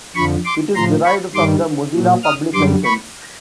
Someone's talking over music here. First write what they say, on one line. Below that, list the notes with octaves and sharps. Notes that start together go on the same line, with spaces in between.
It is derived from the Mozilla Public License.
F2 D3 F3 B5 C#6
C6 D6
A2 F3 A#5 C6
B5 C#6
G2 D#3 G3 C6 D6
A#2 F#3
D#6 F6
F#2 D3 G3 C6 D6
B5 C#6